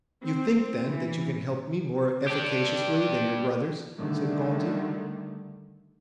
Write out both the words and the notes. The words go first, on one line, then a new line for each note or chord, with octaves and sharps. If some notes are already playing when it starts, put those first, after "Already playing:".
"You think, then, that you can help me more efficaciously than your brothers?" said Gondy.
C4
E3
D4 G4
D3 D#3 G3 A3